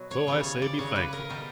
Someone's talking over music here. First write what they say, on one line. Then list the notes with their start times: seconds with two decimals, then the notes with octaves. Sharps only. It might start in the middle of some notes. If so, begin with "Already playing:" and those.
So I say, be thankful.
Already playing: B2 F#3
0.11 C#5
0.27 C#3 E3 G3 C#5
0.44 C#5
0.62 D5
0.78 C#3 F#3 C#5
0.96 B4
1.13 A#4
1.29 B2 G3 G4